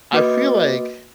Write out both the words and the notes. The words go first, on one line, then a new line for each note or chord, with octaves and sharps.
I feel like
A#3 F#4 B4 D#5 D6